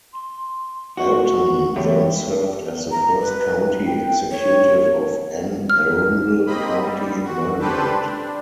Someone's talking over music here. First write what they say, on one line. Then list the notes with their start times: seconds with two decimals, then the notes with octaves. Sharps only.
Alton then served as the first County Executive of Anne Arundel County, Maryland.
0.13 C6
0.97 F#4 C#6
1.76 E2 A3 G4 C#5
2.91 A#5
3.21 B4
3.86 G5
4.31 C#5
5.70 F6
6.47 A#3 C4 D#5 B5
6.81 G3
7.24 F#4
7.58 D4 G4 A4 B4 C5
8.00 D4